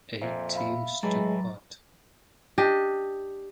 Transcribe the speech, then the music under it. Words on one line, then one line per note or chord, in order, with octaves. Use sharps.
Eight teams took part.
F2 A#2 C5 E5
E5 F5 B5
A2 E3 F#3 G#3 A#5 A6
D4 G4 D#5